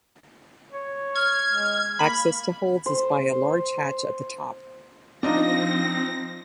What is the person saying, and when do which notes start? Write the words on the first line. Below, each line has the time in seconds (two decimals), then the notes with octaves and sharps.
Access to holds is by a large hatch at the top.
0.72 C#5
1.16 F6 G#6
1.51 G#3
1.99 A#3 B5
2.86 C5
5.23 F3 C4 D4 D#4 F4 A#6